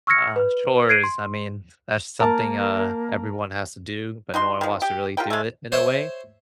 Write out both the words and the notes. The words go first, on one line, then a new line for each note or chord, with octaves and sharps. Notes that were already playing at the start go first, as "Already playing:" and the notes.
Uh, chores. I mean, that's something, uh, everyone has to do, but no one wants to really do it, in a way.
C#6 E6 F6 G#6 A#6 C#7
B4
G#6 C7 D7 D#7
C6
A#3 A#4 A5
D#4 F#4 C6
D#3 F3
G4
F4 G4 A#4 G5
G#3 A3
C5 C#5 E5